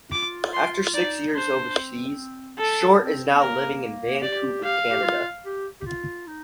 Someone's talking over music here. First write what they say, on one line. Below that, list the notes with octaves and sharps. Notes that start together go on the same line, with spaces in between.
After six years overseas, Short is now living in Vancouver, Canada.
F4 D6
C6
D#4 D5
D4 C5
C4
A4
C4
A#3 A#4
G4 D5
G4 F5
G4
F4
G4
G4
F4
D#4